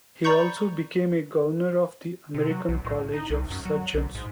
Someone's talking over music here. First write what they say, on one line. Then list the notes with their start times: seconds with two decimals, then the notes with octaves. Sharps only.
He also became a governor of the American College of Surgeons.
0.24 D5 A#5 B5 C#6 G6 C#7
2.34 C3
2.49 F#3
2.68 B1
2.85 A2
3.13 D#4
3.30 C2
3.50 F#2
3.65 F#3
3.94 B1
4.15 G#2